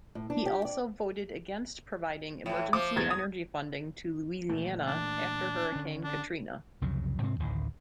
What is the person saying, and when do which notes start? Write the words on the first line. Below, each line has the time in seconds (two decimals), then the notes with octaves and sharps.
He also voted against providing emergency energy funding to Louisiana after Hurricane Katrina.
0.15 A2
0.30 D4
0.46 G4
0.65 D5
2.46 A2 E3
2.73 F3 D6
2.96 E2 G#6 A6
3.11 D#6
4.49 A#2 E3 A3
4.87 D4
5.72 D3 C#4
6.04 D4
6.82 C2 F2 C#3 F#3
7.22 G#2 C3 G#3 C4
7.40 A1 D2 A2 D#3